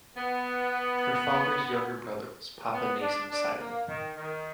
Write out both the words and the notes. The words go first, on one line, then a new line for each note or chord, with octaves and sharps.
Her father's younger brother was Papanasam Sivan.
B3
B3
D4
D4
A#3
D#3
D#3